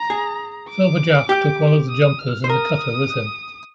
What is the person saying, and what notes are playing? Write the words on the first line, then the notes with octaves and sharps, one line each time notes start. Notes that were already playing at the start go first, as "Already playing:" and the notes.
Silver Jack took one of the jumpers in the cutter with him.
Already playing: A#5
G#4
D6
G4
D#6
F6
C5
A#4 D#6